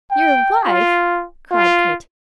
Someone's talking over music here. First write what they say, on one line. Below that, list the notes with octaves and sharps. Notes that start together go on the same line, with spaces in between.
"Your wife!" cried Kate.
G5
F4
F4